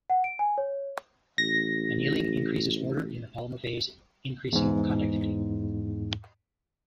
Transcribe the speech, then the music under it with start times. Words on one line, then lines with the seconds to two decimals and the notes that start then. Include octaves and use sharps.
Annealing increases order in the polymer phase, increasing conductivity.
0.10 F#5
0.24 D7
0.39 G#5
0.58 C#5
1.38 A1 A#6
4.52 E2 G#2